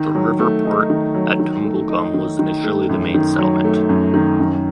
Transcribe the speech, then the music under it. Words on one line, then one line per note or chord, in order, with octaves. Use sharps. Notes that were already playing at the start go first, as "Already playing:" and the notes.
The river port at Tumbulgum was initially the main settlement.
Already playing: D#3
F#3
A3
D#4
D#3
F#3
D#3
A3
D#4
D#3
D#3
A3
F#2
D#3
F#3
A3
F#2
D#3
F#2